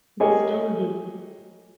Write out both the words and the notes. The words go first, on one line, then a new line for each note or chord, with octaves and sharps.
They still do.
G4 G#4 A#4 C#5 D#5 G#5